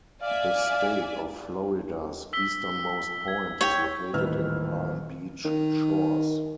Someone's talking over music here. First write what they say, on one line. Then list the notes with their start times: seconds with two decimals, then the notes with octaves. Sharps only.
The state of Florida's easternmost point is located in Palm Beach Shores.
0.22 D5 E5 F5 G#5
2.33 E6 B6 G7
3.28 G#6
3.61 C#5 G5
4.13 D#1 A1 D#3 B4 E6 F6
5.45 D#3